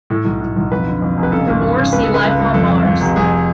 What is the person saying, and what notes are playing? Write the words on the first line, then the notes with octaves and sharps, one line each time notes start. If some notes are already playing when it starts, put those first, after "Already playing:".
For more, see Life on Mars.
A2 A4
B1
A2
B1
F2 B4
D3
F2
F1
B4
C#3 A4
G#1
G#1
C#3
C#2 B4
C#3 A4
B4
C#2
C#2
F2 A4
F2
F2
F1
F2 G#4